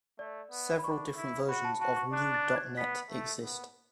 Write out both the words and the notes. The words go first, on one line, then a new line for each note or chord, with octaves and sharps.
Several different versions of NewDotNet exist.
A3 D5
B3
B5
D4 C#6
E4
F#4 B5
A5
F#4 A5
C#6
D4 F#6
A6
F#6
G#6
B3 B6
A3
B3